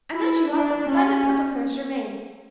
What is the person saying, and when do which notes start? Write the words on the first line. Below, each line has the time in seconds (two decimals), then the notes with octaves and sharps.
And then she lost that splendid cook of hers, Germaine.
0.12 E4
0.50 D4
0.88 C#4